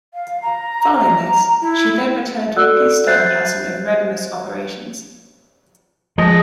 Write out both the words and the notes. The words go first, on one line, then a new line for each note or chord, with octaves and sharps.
Following this, she then returned to a peacetime pattern of readiness operations.
F5
A#5
A#5
E4
F#4 A4 D5 F#5 E6 F#6
C5 E5 F#6 G6 A6 C7
F3 G#3 D#5